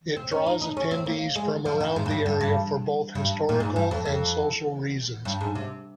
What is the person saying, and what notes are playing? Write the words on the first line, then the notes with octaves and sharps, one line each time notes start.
It draws attendees from around the area for both historical and social reasons.
C4
C#4
D#4
D#4
C#4
C4
A#3
G#3
F3
D#3
G#2
F2
G2
G2
G2
G2
A#2
G#2
G2
F2
F2
G2
G#2
C3